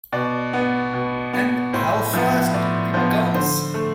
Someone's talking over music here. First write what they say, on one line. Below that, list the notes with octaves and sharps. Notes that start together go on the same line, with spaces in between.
And how fast it comes!
B2 D5
B3
B2
B3
A2 C5
F3 B3 E5
A2 D5
F3 B3 C5
D3 C5
A3